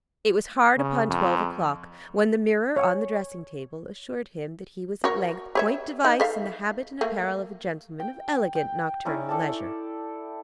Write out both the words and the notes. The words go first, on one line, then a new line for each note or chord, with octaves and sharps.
It was hard upon twelve o'clock when the mirror on the dressing-table assured him that he was at length point-device in the habit and apparel of a gentleman of elegant nocturnal leisure.
C#3
F2
C#5
F#4 A#4 C#5
G4 C#5 E5
D#4
A4 E5 F5
A3 A#3
G5
G5
C#4 D#4 E4 D5
A4 D5 G5 A5